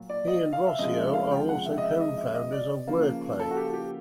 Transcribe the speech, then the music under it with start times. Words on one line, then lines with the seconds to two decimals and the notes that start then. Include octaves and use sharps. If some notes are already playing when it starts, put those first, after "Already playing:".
He and Rossio are also co-founders of Wordplay.
Already playing: A#2 F#3
0.10 D5
0.27 D#5
0.53 F5
0.66 E5
0.79 F2 C#3 F3 G#3 D#5
0.97 E5
1.07 E5
1.13 F5
1.31 G5
1.49 F#5
1.66 E5
1.78 D#5
1.83 E5
2.00 D#5
2.17 E5
2.35 D#5
2.52 D5
2.88 C#3 F3 A#3
3.40 A4
3.51 F#4
3.57 G4
3.74 G4